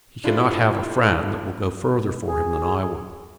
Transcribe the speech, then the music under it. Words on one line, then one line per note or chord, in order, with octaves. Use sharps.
He cannot have a friend that will go further for him than I will.
D4 E4 F4 G4 A4 C5
G#4